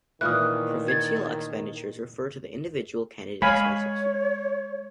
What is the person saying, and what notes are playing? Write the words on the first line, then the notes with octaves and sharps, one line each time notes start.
Provincial expenditures refer to individual candidate expenses.
A#2 D#3 E3 D#6 F6 F#6
G#6 A6
G#3 C#5 F5 G#5 B5